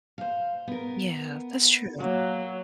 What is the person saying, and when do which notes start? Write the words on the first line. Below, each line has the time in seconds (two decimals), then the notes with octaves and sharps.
Yeah. That's true.
0.18 C5 F5
0.68 B3 A#4
2.00 F#3 A#3